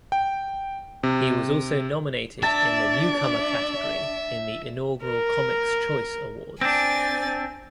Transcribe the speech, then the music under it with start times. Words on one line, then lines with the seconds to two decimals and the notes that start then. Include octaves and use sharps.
He was also nominated in the Newcomer category in the inaugural Comics Choice awards.
0.12 G5
1.03 C3
2.43 D4 D5 E5 A5
5.05 A#4
6.61 C4 D4 G#5 A6